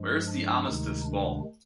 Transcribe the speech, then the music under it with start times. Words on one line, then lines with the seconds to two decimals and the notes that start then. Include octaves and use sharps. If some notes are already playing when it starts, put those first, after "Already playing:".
Where's the Armistice Ball?
Already playing: G2 F3 G#3
0.28 D4
0.66 D2 C3 D#3 G#3 D#4
1.05 D4